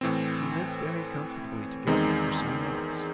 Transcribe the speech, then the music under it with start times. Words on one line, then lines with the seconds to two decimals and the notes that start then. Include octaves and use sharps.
We lived very comfortably together for some months.
0.01 A2 E3 C4
1.87 E2 D#3 G#3 C4 D#4